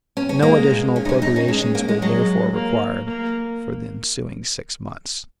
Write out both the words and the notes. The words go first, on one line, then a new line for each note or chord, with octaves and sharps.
No additional appropriations were therefore required for the ensuing six months.
C#4
C#4
G#3 A#3
C#4
D#4
C#4
D#4
C#4
G#3 C#4
C#4
A#3
G#3
F#3 G#3
A#3
A#3